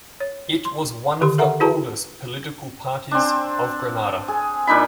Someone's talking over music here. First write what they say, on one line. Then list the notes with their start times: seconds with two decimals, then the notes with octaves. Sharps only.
It was one of the oldest political parties of Grenada.
0.20 C#5
0.65 C6
1.21 D3 D#3 G4 C6
1.38 A4 A#4 E5 F#5 A#5
1.60 E4 F#4 G#4 B4 A5 A#5
3.11 C4 D4
4.28 G#4
4.67 A#2 D4 D#4 B5